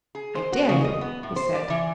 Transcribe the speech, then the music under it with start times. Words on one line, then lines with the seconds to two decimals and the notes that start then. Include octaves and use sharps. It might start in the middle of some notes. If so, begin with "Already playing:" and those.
"I dare you!" he said.
0.15 G#4
0.35 C5
0.52 F#4
0.69 C#3
0.84 D#5
1.01 B3
1.23 A2
1.36 C5
1.55 D5
1.70 E3